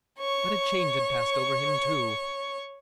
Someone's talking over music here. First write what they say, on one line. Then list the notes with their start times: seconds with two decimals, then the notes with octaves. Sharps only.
But a change had passed over him, too.
0.19 C#5 C#6